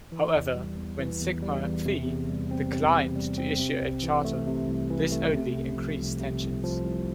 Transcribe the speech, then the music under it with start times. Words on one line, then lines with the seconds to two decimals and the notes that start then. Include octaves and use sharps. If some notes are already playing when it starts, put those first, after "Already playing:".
However, when Sigma Phi declined to issue a charter, this only increased tensions.
0.12 E3
0.35 E2
0.55 G3
0.77 E2
0.99 E3
1.21 E2
1.42 G3
1.64 E2
1.86 C3
2.07 E2
2.29 G3
2.51 C4
2.73 C3
2.95 E2
3.16 G3
3.38 C4
3.59 C3
3.82 C2
4.03 E3
4.24 A3
4.47 C3
4.68 C2
4.90 E3
5.12 A3
5.33 C3
5.55 C2
5.76 F3
5.98 C2
6.20 C3
6.42 C2
6.64 F3
6.85 C2